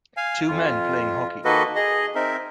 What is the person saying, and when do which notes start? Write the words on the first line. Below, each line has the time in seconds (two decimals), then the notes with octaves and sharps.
Two men playing hockey.
0.17 F5 G#5
0.48 F2 F4
1.45 D#3 A#3 F#4 A4 B4 D#5
1.75 G#4 D#5
2.15 C4 D#4 A#4 E5